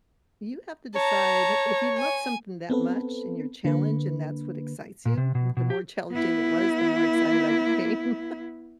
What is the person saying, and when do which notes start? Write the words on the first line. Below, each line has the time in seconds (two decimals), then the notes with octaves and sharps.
you have to decide, if you love something that much and you're challenged and that's what excites you, the more challenging it was, the more excited I became.
0.96 C#5 A5 A#5
1.98 G#5
2.70 B3 C4 A4 B4
3.65 D3 A#3 B4
5.05 A#2
5.17 C3
5.35 B2
5.57 B2
5.70 G4
6.11 B3 E4